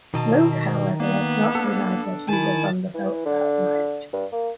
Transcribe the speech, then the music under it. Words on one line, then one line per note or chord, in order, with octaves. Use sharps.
Smoot, however has not denied that he was on the boat that night.
B2 D#3 D#5 A5
A#3 B3
D4 A4
D#3 E4 G#5 A5
E3
D3
G2
A#3